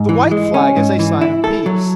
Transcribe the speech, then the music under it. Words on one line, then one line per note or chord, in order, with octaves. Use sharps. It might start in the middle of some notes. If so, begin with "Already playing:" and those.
The white flag is a sign of peace.
Already playing: G#2
E3
G#3
C#4
G#2
E3
E4
A4
F#3